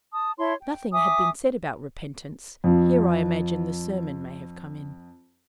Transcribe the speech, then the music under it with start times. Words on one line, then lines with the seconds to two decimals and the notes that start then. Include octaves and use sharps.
Nothing had been said about repentance: here, I imagine, the sermon may have come in.
0.12 A5 D#6
0.38 E4 C#5 A5 C6
0.61 G5
0.92 E5 G#5 D6 D#6
2.64 F2 F3